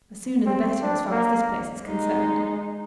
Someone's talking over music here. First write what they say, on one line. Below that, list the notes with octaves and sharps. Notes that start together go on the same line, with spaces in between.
"The sooner the better as far as this place is concerned."
C4
D4
A#3
G#3 D#4